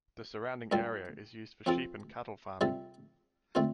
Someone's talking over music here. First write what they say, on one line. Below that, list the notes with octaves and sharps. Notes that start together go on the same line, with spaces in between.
The surrounding area is used for sheep and cattle farming.
G2 G3 F4 A4
F3 C4 F4 A4
C3 G3 F4 A4
D3 A3 C4 F4